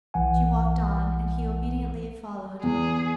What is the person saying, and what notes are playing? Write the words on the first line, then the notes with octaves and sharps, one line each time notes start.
She walked on, and he obediently followed.
B1 E3 F#5 G#5
E2 G#4